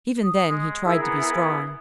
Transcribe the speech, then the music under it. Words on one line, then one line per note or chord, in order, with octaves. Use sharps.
Even then he tried to be strong.
D#6
G#3
E4 G#4 A#4 E5
B3